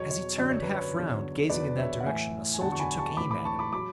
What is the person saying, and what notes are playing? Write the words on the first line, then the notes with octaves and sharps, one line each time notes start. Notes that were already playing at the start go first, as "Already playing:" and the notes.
As he turned half round, gazing in that direction, a soldier took aim at him.
Already playing: E2 B2 F#3 C#5
C#5
F#2 D3 F#3 D5
C#5
B4
C#5
E2 D3 F#3
E2 D3 F#3 B4 D5
C#5 E5
F#5
A2 E3 E5 G#5
G#5
E2 D3 F#3 F#5 A5
C#6
G#5 B5
A5 C#6
A2 E3 B5 D6
B5 D6
A5 C#6
B5 D6
F#3 B5 D6